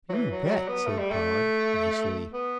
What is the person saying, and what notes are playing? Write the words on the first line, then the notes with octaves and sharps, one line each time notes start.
"You bet," said Pod, icily.
F#3
E3
F#3
G3
F#3
B3
A3
G3
A3
B3